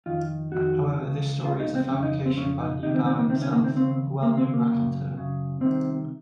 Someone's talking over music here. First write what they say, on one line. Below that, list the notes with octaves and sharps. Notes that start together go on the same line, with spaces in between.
However, this story is a fabrication by Neubauer himself, a well-known raconteur.
F2 D#3 F4
F2 D#3 F#4
C#2 C#3
C#2 C#3 F4
D#4
C4
F2 C#3 C#4
D#4
C4
F2 C#3 C#4
D#4
C#2 C3 D#3 D#4
C4
C4
A#3
C#2 C3 D#3 C4
C#4
A#3
C4
D#2 C#3 C4
D#2 C#3 A#3
C4
A#3
F#2 C#3
F#2 C#3
C2 C3 D#3 C4